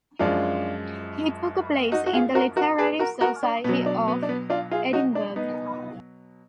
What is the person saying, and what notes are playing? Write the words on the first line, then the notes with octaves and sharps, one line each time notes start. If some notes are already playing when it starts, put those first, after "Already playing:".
He took a place in the literary society of Edinburgh.
F#2 F3 G#3 D4 F4
D#4 F#4
F#4
F4 G#4
F#4 A#4
F#4 A#4
G#4 B4
F#4 A#4
F#4 A#4
D4
B2 F#3 B3
D4
B3
D4
B3
D4 F4
F4 G#4
D#4 F#4
D4
B3 D#4